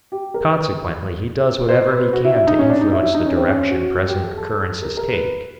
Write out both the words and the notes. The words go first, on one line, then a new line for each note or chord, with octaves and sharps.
Consequently he does whatever he can to influence the direction present occurrences take.
G4
A#4
B4
C5
B4
F#4
E4
E4
D#4
C#4
D4
D#4
E4
E4
D#4
C#4
C4
C#4
F#4
F#4
G4
A4
A4
A#4
A#4
B4